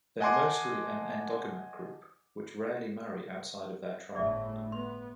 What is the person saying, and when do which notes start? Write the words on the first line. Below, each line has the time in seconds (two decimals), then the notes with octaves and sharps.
They are mostly an endogamic group which rarely marry outside of their tribe.
0.20 D#5 F#5 G#5 A5 C6 D6
4.15 G1 A2 A3 G#4 D5 E5
4.72 B3 C6